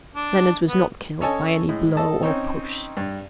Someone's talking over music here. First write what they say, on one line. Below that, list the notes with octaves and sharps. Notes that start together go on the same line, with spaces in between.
'Leonards was not killed by any blow or push.'
D4
B3
C#4 A4 C#5 D#5 G#5 A5
A2 G#3
A4 D#5 A5
C4 C#4 D#4 C#5
G2